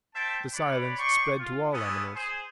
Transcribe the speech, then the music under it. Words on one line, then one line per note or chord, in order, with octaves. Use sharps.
The silence spread to all animals.
C5 E5 G5 A5
D4 C#5 D5 B5
D5 G5 C6 C#6
F4
A#3 B3 C#4 E4 A4 D#6
G#4 C5